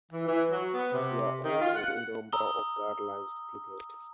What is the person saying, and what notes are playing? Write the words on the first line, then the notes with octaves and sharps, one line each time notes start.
There are also a number of guidelines stated.
E3
E3
F#3
B3
C3
D#3
F4
F#5
A#5 D#6 E6 G7